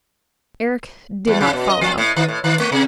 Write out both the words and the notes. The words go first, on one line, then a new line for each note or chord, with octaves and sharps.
Eric did not follow.
E2
C#3
B2
D#5
F3
A2
D#3
A2
D#3
A3
C3